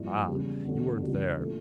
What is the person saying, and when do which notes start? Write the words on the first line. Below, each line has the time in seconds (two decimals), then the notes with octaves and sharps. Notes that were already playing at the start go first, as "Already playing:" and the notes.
Ah, you weren't there.
Already playing: G2 F3 A#3 E4
0.28 E2 C#3 G3
0.65 E2 D3 A3 C#4
1.02 C#2 C#3 E3 G3 D4
1.38 A#2 A3 D4